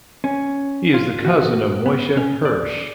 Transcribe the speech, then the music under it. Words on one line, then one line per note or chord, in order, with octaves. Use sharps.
He is the cousin of Moshe Hirsch.
C#4
F4
F#4
B3
C#4
D5